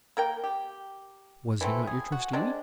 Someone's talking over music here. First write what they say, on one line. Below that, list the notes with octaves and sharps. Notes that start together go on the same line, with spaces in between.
'Was he not your trustee?'
A#3 A#4 G5
G4
E3 A3 C4
G#4
F#4
G#3 C4 D4 D5